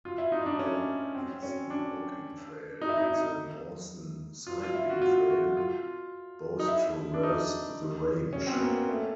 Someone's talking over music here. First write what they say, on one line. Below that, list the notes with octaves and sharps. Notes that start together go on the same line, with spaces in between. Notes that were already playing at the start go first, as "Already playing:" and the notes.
The Heysen Walking Trail and the Mawson Cycling Trail both traverse the range.
F4
E4
D#4
D#4
D4
C#4
C4
C#4
D4
D#4
E4
D#4
E4
D#4
F4
F4
E4
F#4
F4
F#4
F4
D#4
E4
D4
D#4
C#4
C4
B3
A#3
A3